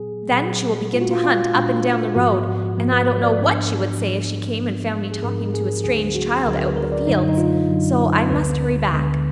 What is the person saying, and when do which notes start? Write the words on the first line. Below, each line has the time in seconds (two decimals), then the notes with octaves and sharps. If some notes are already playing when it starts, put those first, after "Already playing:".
Then she will begin to hunt up and down the road, and I don't know what she would say if she came and found me talking to a strange child out in the fields, so I must hurry back.
Already playing: A#2 F#3 B3 G#4
0.31 A#2 F#3 B3
0.92 A#2 G#3 D4 F4
1.02 F#4
1.11 F4
1.24 F4
1.54 A#2 G#3 D4
2.16 G#2 F3 B3 F#4
2.77 G#2 F3 B3
2.92 B4
3.08 B4
3.23 D5
3.38 G#2 F3 B3 D4
4.00 G#2 F3 B3 D4
4.62 G#2 F3 B3 D4
5.11 G#4
5.23 G#2 F3 B3 D4 A#4
5.54 G#4
5.84 D2 D3 F#3 B3 D4 G#4
6.15 F#4
6.45 D2 D3 F#3 B3 D4 A#4
6.61 B4
6.76 A#4
6.92 D5
7.07 F#2 D3 F#3 D4 D#4
7.29 D#4
7.37 F4
7.68 F#2 D3 F#3 D4
8.30 D2 D3 G#3 B3 B4
8.91 D2 D3 G#3 B3